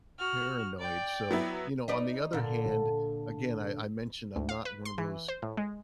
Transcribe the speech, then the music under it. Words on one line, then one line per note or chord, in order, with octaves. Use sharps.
paranoid, so, you know, on the other hand, again, I I mentioned I'm not one of those
F#4 F6
D5 G5
F#3 B3 E4
D#4 B4 D5
A#2 D3
D2
F5
B4
C6
E3
C5
A2
G#3